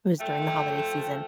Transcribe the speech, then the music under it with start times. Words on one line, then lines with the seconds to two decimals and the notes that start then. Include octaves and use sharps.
it was during the holiday season,
0.19 F3 A3 G5